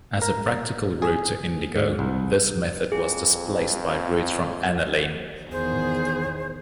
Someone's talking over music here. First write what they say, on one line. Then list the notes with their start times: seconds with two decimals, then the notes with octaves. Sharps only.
As a practical route to indigo, this method was displaced by routes from aniline.
0.22 A#4
1.02 G#4
1.76 G#2
1.99 C2
2.92 F2 G#4
5.51 E2 D#3 G#4 C5